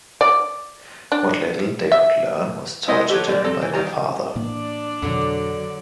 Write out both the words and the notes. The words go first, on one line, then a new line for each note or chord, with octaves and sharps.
What little they could learn was taught to them by their father.
D5
D4
E5
G#3 E4 A#4 C5 D#5 F#5
G4 A4 B4 C#5
D3 G3 D5
C4 A4 A#5
E3
D#3 G3 A#5
A2 E3 A#3 D4 D5
F2 B2 D3 D#3 F#3